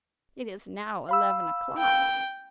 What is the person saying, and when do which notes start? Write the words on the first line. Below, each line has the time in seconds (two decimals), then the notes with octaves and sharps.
It is now eleven o'clock.
1.09 F5 B5 E6
1.78 G5